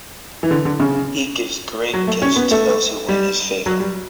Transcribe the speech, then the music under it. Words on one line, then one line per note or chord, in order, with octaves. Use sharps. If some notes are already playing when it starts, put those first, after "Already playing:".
He gives great gifts to those who win his favor.
E3
D3
D3
C#3
F#3
A3
C#4
B3
A3
G3
F#3
G3